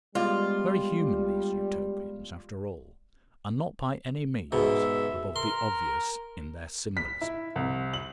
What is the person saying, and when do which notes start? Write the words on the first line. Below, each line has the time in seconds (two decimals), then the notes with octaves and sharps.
Very human these Utopians, after all, and not by any means above the obvious in their symbolism!
0.15 G3 G#3 B3 F4 D5
4.52 G#2 B2 E5
5.36 A#4 C6
6.97 B6
7.21 E4
7.56 C2
7.94 F#7